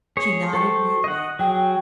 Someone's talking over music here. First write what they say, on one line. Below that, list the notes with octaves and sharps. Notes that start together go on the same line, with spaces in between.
She nodded mutely.
G#4 C#5
A4 C5 G5 C#6
D#5 F#5
F#3 G#4 G5